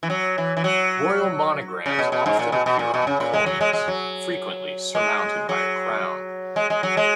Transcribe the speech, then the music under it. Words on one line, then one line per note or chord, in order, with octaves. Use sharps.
Royal monograms often appear on coins, frequently surmounted by a crown.
E3
F#3
E3
E3
F#3
C#3
B2
B2
G#2
A#2
B2
B2
A#2
B2
C#3
A#2
G#3
F#3
G#3
G#3
F#3
G#3
F#3
G#3
G#3
F#3
G#3